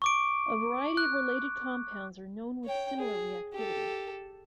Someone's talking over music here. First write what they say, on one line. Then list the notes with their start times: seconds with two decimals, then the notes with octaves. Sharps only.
A variety of related compounds are known with similar reactivity.
0.02 C#6 D6 D7
0.97 F#6
2.64 C#5 G5
2.97 G#4
3.53 G4 A4